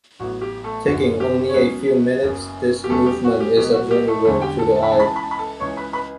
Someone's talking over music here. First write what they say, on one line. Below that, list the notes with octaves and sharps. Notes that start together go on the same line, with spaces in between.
Taking only a few minutes, this movement is observable to the eye.
A1 A2 F#3 B3 F#4
G4
A3 A4
F#1 F#2 D3 A3 C#4 F#4
G4
C#5
C#2 C#3 F#3 B3 C#4 B4
F#1 F#2 C#3
G4
E2 C#3 G3 A3 B3 A4
G4
F#4
G4
C#2 B2 F#3 B3 G4
F#4
G4
A3 A4
E1 E2 D3 G3 A3 C#4 A4
G4 G5
A4 A5
A5
B5
C#2 C#3 E3 A5
B5
A5
B5
A5
B5
A4 A5
C#2 C#3 E3 C#5 C#6
B4 B5
B4 B5